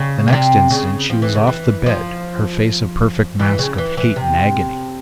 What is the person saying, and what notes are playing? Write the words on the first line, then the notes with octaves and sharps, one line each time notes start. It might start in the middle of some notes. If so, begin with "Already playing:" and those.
The next instant she was off the bed, her face a perfect mask of hate and agony.
Already playing: C#3
A#2
C3
C#3
F3
E3
C#3
E3
F3
E3
C#3
E3
E3
C3